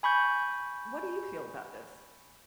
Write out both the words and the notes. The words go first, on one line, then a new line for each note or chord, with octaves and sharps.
What do you feel about this?
G#5 B5 C#6 G6